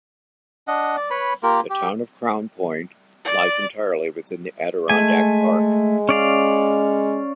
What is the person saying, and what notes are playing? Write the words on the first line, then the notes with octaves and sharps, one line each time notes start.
The town of Crown Point lies entirely within the Adirondack Park.
D4 D#5 F#5
D5
B4 C#5 B5
A#3 F4 G4 A#4
G4
D5
G#3 A3 G#5
C#4 D5 F5